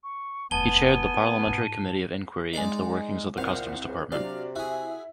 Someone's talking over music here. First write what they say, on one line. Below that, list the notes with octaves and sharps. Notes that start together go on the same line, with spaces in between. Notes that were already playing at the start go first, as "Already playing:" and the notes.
He chaired the Parliamentary Committee of Inquiry into the workings of the Customs Department.
C#6
F1 D#2 B3 G#5 A5 D#7 G7
G#2 F4
G#3 D#4 D5 D6
C2 A#2 C5 F5 F#5
C#2
C3 F#3 D4 D5 F5
E4 F#4 G#4